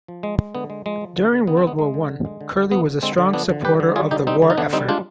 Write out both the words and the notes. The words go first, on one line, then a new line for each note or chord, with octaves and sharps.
During World War One, Curley was a strong supporter of the war effort.
F3
G#3
G#3
D3 B3
G#3
F3 G#3
F3
D3
D3
D3 B3
C4
G#3 B3
G#3
D3
D3
G#3
D3
D3
F3 B3
D3
D3 G#3 C4
D3
F3 B3 D4
D3
G3 G4 B4
D3
G3 F4 G#4
D3 D#4 G4
G3 C4 D#4
D3
D#4
D3 B3 D4
G3 C4 D#4
G#3 D4 F4